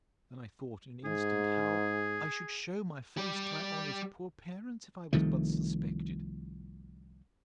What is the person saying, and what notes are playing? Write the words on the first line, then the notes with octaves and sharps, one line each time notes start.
Then I thought in an instant, how I should shew my face to my honest poor parents, if I was but suspected.
G#2 G#4
G3 G4
C2 D#3 F3 A3